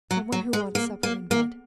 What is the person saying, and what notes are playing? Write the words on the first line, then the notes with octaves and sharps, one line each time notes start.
"Some one who wants supper and bed."
F#3
F#3
G#3
A#3
A#3
A#3